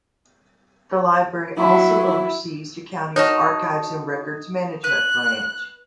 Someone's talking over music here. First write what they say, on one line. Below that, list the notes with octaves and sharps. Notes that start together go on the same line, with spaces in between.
The library also oversees the county's Archives and Records Management Branch.
F#3 E4
D#4 F#4 C#5 A5 F6
B4 F#6